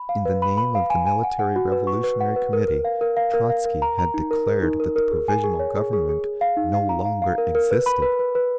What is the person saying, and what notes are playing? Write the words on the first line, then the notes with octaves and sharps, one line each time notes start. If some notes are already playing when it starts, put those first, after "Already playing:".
In the name of the Military Revolutionary Committee Trotzky had declared that the Provisional Government no longer existed.
Already playing: B5
F5
B4
B5
B5
F5
G#5
G#5
F#5
F#5
F#4
B4
C#6
B4
F#5
B4
A#4
A#4
F5
A#4
F5
A#4
F5
A#4
A#5
A#5
D#4
A#4
A#4
D#4
A#4
A#4
G#4
G#5
G#4
C#5
G#4
G#4
G#4
G#4
F5
D#4
F5
A#5
F5
F5
A#4
A#4
B4
B5
B4
B4
B4